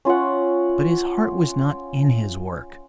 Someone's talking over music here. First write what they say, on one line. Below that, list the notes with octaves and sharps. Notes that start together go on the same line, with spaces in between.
But his heart was not in his work.
C#4 F4 E5 F#5